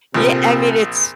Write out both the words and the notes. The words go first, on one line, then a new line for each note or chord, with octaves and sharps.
Yeah, I mean, it's
A#1 C3 F3 C4 A4 A#4